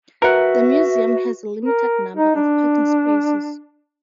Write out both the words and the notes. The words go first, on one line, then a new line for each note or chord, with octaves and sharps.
The museum has a limited number of parking spaces.
F#4 A#4 B4 E5 F#5
A#4
D#4
D4